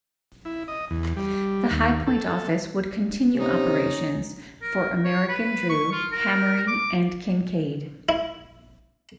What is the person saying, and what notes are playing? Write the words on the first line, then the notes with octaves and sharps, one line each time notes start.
The High Point office would continue operations for American Drew, Hammary, and Kincaid.
E4
D#5
E2
G3
D#2
A4
A4
C3 C#4 D#4
A#4
C#5
B4
C#6
F4
A#4
D6
E4